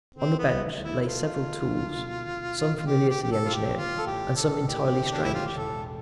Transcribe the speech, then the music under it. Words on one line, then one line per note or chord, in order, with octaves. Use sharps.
On the bench lay several tools, some familiar to the engineer and some entirely strange.
D3 C4
B3
D2
D2
E4
E4
A3 F4
D3
D2
B2
B2
E4
F4
B2 G4
G4
B2
G4
A4
B3 F4
G4
D3 F4
A4
A1 G4
D3 A4
A1 G4
D3
D4
A1 E4
F4
G4
E1 A4